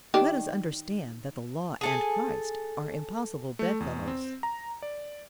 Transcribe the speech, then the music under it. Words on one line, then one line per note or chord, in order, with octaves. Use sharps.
Let us understand that the Law and Christ are impossible bedfellows.
D#3 D4 G4
G#4 A4 G#5
A3
E2
C4
A#5
D5